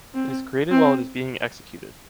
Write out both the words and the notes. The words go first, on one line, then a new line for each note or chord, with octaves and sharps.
It is created while it is being executed.
C4
C4